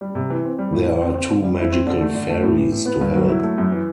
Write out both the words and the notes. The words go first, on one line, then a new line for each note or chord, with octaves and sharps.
There are two magical fairies to help.
G3
C3
E3
C4
G3
A2
E3
C4
C4
D3
G3
E4
C4
D3
A3
D3
A3
A2
E3
A2
B3
G2
F#3
E4
A3
F#2
E3